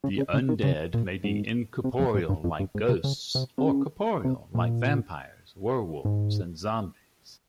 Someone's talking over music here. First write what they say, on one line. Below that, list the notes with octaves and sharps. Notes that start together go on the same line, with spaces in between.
The undead may be incorporeal like ghosts, or corporeal like vampires, werewolves, and zombies.
C#3
C#3
C#3
D#3
C#3
A#2
G#2
C3
F2
G#2
G2
F2
G2
G#2
C3
C#3
C3
C3
C#3
C3
A#2
G#2